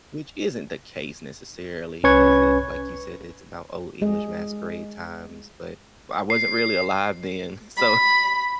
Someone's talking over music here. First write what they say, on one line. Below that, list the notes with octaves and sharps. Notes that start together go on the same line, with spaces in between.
which isn't the case necessarily, 'cause it like you said, it's about Old English masquerade times, but I wasn't really alive then, so,
C2 C#4 B4 C#6 G#6
G#3 G#4 D#5
C7
B5